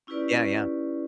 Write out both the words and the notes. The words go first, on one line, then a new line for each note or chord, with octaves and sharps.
Yeah, yeah.
C#4 E4 F4 G4 B4 D5